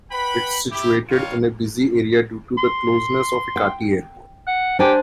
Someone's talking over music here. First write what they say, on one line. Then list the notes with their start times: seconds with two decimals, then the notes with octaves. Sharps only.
It's situated in a busy area due to the closeness of Ekati Airport.
0.11 B4 F#5 G5 B5
0.71 E4 G4
1.09 D#3 G3 F4 C#5 F5
2.58 C6
3.56 G5
4.47 F#5
4.79 D4 G4 C5 G#5